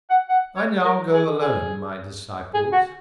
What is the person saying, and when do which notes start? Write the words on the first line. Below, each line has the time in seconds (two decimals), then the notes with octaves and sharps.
I now go alone, my disciples!
0.10 F#5
0.29 F#5
0.56 C#5
0.84 A#4
1.13 G#4
1.41 G#4
2.54 G#4
2.72 F#4